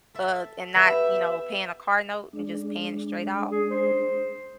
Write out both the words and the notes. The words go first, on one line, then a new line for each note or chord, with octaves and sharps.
o uh, and not you know, paying a car note and just paying it straight off
A4 E5
B3 G4 E5 B5
G#3 D4
G#4
C5